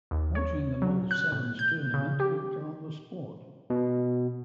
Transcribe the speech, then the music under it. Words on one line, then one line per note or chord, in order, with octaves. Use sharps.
Watching the Mull Sevens tournament hooked her on the sport.
D#2
C#5
F#3
F#6
A2
G6
C#3
G4
B2